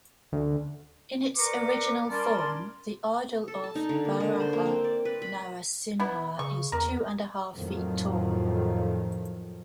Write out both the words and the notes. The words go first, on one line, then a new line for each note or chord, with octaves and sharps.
In its original form, the idol of Varaha Narasimha is two-and-a-half feet tall.
D2
A#4 B4 D5 A#5 C#6 D6
G3 C#4 A#4 D5 A5 C6
A4
A5
D#4
D3
A#3
D3
C5
A#3
C4
D5
B4
B5
B3 E4
C#3 C#6
E2 A#4
F2 A2 D#3 F3 F#3